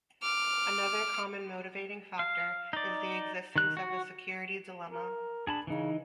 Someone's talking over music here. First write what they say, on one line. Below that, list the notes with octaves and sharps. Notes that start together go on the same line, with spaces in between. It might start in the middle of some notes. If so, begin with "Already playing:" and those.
Another common motivating factor is the existence of a security dilemma.
D6 F6
F5
D#4 D5
D#3 F#6
F#4
A#4
D4 G#4 A5 B5
C#3 E3 D#4